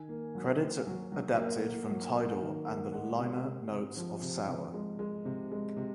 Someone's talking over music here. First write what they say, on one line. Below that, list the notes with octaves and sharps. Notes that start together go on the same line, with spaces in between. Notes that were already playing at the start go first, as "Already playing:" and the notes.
Credits adapted from Tidal and the liner notes of "Sour".
Already playing: D#3 G#5
A#3
F#3
A#3
F#3
F#3
A#3
A#3
F#3
A#3
D#3
A#3
G#3 F#5
C3
C3
C3
F3
C3
C3
G#3
G#3
C3
G#3
C3